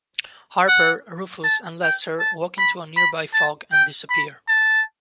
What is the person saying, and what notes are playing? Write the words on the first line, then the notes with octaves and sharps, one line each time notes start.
Harper, Rufus and Lester walk into a nearby fog and disappear.
F#5
A5
G5
A5
B5
B5
A5
G5
B5
A5